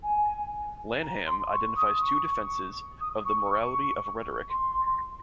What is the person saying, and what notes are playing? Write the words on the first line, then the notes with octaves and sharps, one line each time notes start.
Lanham identifies two defenses of the morality of rhetoric.
G#5
A#5
C6
C#6
D#6
C#6
D#6
C#6
C#6
C6